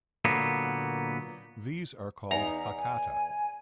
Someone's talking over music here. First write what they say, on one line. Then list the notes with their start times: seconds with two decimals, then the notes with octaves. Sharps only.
These are called Hakata.
0.25 A#2 D3 F#3 A#3 B3
2.31 E2 D#4 A#5
2.77 G#5